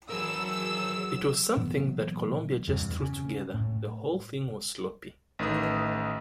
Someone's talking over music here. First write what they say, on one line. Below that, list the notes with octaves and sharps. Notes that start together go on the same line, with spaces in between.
It was something that Columbia just threw together...The whole thing was sloppy.
E3 F#3 G#4 A#4 E6
A#2 E3 F#3 B3
E2 G2 C3 E3
C#3
A2
A1 D#3 A3 B4 D#6